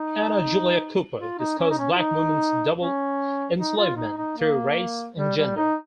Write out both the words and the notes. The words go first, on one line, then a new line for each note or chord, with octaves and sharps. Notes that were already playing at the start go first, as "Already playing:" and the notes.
Anna Julia Cooper discussed black women's double enslavement through race and gender.
Already playing: D#4
F4
D#4
C#4
D#4
C#4
F4
D#4
C#4
D#4
F4
D#4
D#4
A#3
G3
G3
D#4